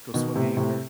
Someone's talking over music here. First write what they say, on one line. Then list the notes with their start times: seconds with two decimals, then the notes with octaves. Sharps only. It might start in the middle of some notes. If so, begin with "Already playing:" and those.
go swimming, or
0.14 B2 D#3
0.36 A2 C3
0.57 A2 C3